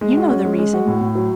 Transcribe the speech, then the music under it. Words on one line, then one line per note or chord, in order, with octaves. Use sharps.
You know the reason.
G#3
F#4
C#4
G#3
G#3
F#4
A2
A2
F#3